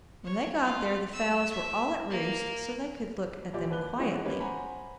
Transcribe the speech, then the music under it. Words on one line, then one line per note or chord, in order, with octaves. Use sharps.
When they got there, the fowls were all at roost, so they could look at them quietly.
C#5
F4
E6
E5
A#3
A#1 A#2 F3 G4 D5
D#2 B4 F#6 G7
E3 F3 G#3 C#4 D#4 F#4
A#3 C#4 G4 B4
C5 F#5 G#5 A#5 B5